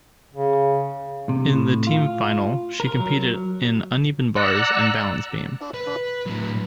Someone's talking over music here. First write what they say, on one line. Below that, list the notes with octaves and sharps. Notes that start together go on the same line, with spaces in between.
In the team final, she competed in uneven bars and balance beam.
C#3
C3
A2
F4
A#4
F#3
D5 F#5 A#5 E6 F#6
B4
A2 F#3